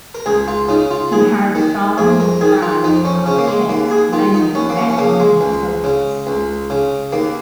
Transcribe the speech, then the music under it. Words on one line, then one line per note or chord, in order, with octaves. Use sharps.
He hired scholars and scribes to copy texts, mainly from Babylonian sources.
A#4
C#2 G#4
F4
C#3 D#4
F4
D#2 G#4
D#3
F2 G#4
A#4
D#3 G#4
F4
F2 D#4
C#4
C#3 C#4
A#3
G#3
D#2 A#3
G#4
D#3 F4
D#4
D#2 C#4
A#3
C#4
C#4
C#3 A#3
G#3
C#2
C#3
C#2
C#3
D#2 A#3